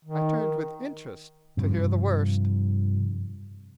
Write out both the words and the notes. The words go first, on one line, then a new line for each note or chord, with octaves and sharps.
I turned with interest to hear the worst.
D#3
G2 C3 F3